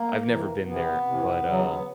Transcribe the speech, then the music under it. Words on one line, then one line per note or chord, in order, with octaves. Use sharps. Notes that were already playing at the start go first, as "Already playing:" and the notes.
I've never been there, but, uh,
Already playing: A#3
C3 E3
C3 E3 B3
C3 E3
C#3 F#3